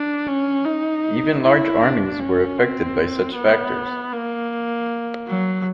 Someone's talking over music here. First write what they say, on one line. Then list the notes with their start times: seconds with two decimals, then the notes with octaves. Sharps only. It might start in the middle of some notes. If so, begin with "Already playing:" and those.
Even large armies were affected by such factors.
Already playing: D4
0.27 C#4
0.65 D#4
1.43 E4
1.81 D4
2.20 C#4
2.58 C4
3.35 B3
4.13 A#3
5.28 F#3